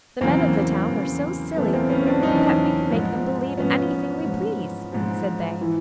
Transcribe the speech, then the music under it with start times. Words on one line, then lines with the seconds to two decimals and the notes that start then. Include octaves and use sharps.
'The men of the town are so silly that we can make them believe anything we please,' said they.
0.21 E2 C#3 F#3 A#3 C4
0.89 E2 C#3 F#3
1.56 E2 C#3 F#3 A3 B3
1.73 A#3 C4
1.90 B3 C#4
2.06 C4 D4
2.20 D4
2.23 E2 C#3 F#3 C#4 D#4
2.91 G#2 F3
3.57 G#2 F3 B3 C#4
4.25 G#2 F3
4.92 G#2 F3
5.61 E3